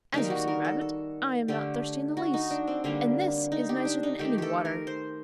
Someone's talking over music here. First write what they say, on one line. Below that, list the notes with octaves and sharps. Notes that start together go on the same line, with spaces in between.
'As you see, rabbit, I am not thirsty in the least, and this is nicer than any water.'
D#3 G3 A#3 D#4
F#4
A#4
A4
A4
D3 A3 G4
F#4
D#4
D4
C4
D3 G3 A#3 D4
D#4
G4
D4
D#4
D#3 A3 G4
G4 A4
A#4
C5